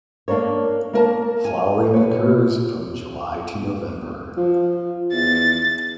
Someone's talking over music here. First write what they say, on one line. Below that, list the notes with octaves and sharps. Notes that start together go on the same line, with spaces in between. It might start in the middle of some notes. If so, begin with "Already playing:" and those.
Flowering occurs from July to November.
A#3 D4 A#4 C#5
A#3 A#4 A5
G#5
B4 C#5
F3
E2 A6